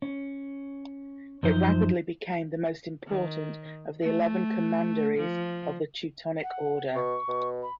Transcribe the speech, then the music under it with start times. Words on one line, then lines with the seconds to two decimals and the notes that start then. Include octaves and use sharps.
It rapidly became the most important of the eleven commanderies of the Teutonic Order.
0.02 C#4
1.43 F#2 F3 D#4 C5
3.08 D#3
4.02 A3
5.18 F3
6.43 F#5
6.96 B2 C#6
7.28 B2
7.63 B5